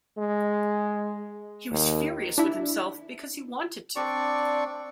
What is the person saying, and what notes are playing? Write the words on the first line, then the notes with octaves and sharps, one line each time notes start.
He was furious with himself because he wanted to.
G#3
D#2
D4 E4
C4 D4 D5 C#6